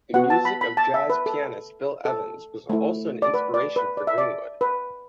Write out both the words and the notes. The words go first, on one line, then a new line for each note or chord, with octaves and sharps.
The music of jazz pianist Bill Evans was also an inspiration for Greenwood.
B3 F#4 F#5
A5
B5
B5
A5
E5
B4
A4
A4
A3 E4
D5
B4
D5
B4
D5
E5
D5
B4